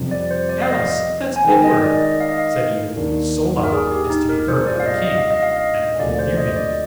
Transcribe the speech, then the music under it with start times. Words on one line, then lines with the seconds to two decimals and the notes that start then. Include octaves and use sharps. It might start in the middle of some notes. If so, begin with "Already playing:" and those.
"Alice, that's Edward!" said Edith, so loud, as to be heard by the king, and all near him.
Already playing: F2 C3 G3 C4 F4
0.11 D5
0.31 C5
0.49 D5
0.62 F5
0.69 D#5
1.36 G#5
1.44 D#3 G#3 D#4 A#4 G5
1.64 D#5
1.83 D5
2.02 D#5
2.20 F5
2.29 D#5
2.38 F5
2.96 D#2 D#3 A#3 D4
3.63 A#4
3.72 G#4
3.91 G4
4.10 D#4
4.29 A#4
4.48 C3 G3 D4 F4 G#4 C5
4.67 D5
4.80 F5
4.86 D#5
5.04 D#5
5.18 F5
5.31 D#5
5.43 F5
5.56 D#5
5.99 D2 C3 F3 A#3 D5
6.19 C5
6.37 D#5
6.56 D5